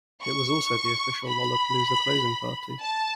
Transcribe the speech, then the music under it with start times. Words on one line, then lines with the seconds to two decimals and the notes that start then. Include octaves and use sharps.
It was also the official Lollpalooza closing party.
0.22 C#6
1.27 B5
2.80 A5